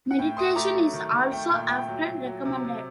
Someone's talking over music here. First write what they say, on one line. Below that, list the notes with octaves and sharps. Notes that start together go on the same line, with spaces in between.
Meditation is also often recommended.
F#5
A2 G5
A3 C6 D#6
A3 A#5 D6
F#3
D#3
D#3
A3 G5
A#2 G5
A3 G5
F#3
F#3
F#3
C3
C3